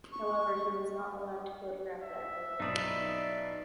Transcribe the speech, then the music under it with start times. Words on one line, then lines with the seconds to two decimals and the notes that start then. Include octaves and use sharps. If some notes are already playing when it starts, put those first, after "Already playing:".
However, he was not allowed to photograph the emperor.
0.12 C#6
2.01 E5
2.60 B1 D#4 F4 B4 D5 D#6